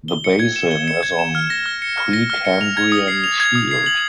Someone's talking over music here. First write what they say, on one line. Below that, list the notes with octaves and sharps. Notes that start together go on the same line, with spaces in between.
The basin is on Precambrian shield.
G7
C#7
G#6
E7
G7
C#7
G#6
E7
F6
A#6
F6
C#7
F6
A#6
F6
C#7
F7
G#6
D#6
C7
F7
G#6
D#6
C7
F#7